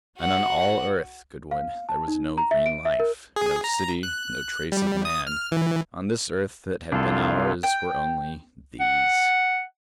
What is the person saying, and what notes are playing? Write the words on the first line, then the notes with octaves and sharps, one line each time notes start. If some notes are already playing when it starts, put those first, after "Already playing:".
And on all Earth, Goodwin, there was no green life, no city, no trace of man. On this Earth that had been ours were only--These.
F#4 F#5
F5
A5
D#4
A#5
E5
D7
E5
A#4
G#4
A#5
F#6
G3
D#6
F6
E3
C2 D4 F4 A4
G5
F#5